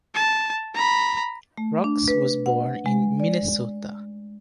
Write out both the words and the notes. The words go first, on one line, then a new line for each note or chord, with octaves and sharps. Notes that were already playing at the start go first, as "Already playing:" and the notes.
Roux was born in Minnesota.
A5
A#5 B5
A3
D4
B4
F#5
G#3
D5